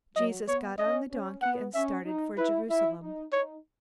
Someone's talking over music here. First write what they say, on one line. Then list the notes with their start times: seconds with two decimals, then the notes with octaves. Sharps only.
Jesus got on the donkey, and started for Jerusalem.
0.16 F#3 D#5
0.48 B3 C#5
0.79 C#4 D#5
1.11 C#4
1.42 B3 F#5
1.74 C#4 E5
2.06 D#4
2.37 E4 B4
2.70 E4 E5
3.01 D#4
3.33 D#4 C#5